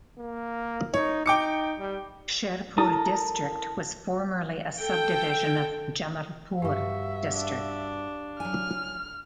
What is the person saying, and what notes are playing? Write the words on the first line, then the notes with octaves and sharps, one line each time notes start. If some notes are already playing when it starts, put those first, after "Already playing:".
Sherpur district was formerly a sub-division of Jamalpur district.
A#3
D#4 C#5
D#4 G5 D6 C#7
G3
E4 A4 A#4 D#6
A4 G5
G2 F#4 G4 E5 F5 C#6
D4
F#3 G#5 F6